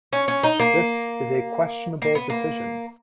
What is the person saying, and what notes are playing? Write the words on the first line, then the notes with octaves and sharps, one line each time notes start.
This is a questionable decision.
C#4
C#4
D#4
A#3
A#3
B3
A#3